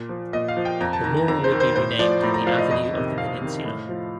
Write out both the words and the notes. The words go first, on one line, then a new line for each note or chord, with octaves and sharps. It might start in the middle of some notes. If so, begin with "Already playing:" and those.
The mall would be renamed The Avenue of the Peninsula.
Already playing: A#2
F3
A#2 D#5
F5
F3
G5
F2 A#5
A5
D#3 A#5
A#5
F2 A#5
C5
D#3
C5
A2 C5
F3 D5
A2 A#5
A#5
F3 F5
D#5
F2 D#5
C3 D#3
F2 F5
C3 D#3
A2
F3